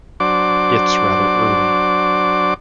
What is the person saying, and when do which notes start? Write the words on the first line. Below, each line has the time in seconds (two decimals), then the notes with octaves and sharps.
It’s rather early.
0.20 F#3 D4 C5 D5 D6